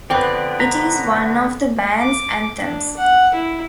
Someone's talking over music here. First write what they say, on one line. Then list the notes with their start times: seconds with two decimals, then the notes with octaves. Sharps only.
It is one of the band's "anthems".
0.10 D3 F3 B3 C4 B4 D5 G5
0.60 A#5 B6
2.00 D6
2.59 D4
2.97 F#5
3.35 E4